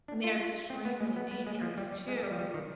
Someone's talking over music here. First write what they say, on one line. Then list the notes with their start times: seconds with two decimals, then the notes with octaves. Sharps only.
and they are extremely dangerous too,
0.08 D4
0.24 F4
0.39 F4
0.70 C4
0.85 B3
1.00 G#3
1.16 B3
1.31 B3
1.47 G#3
1.61 F3
1.78 G3
1.92 G3
2.08 G#3
2.23 G3
2.31 F3
2.39 G3
2.54 D#3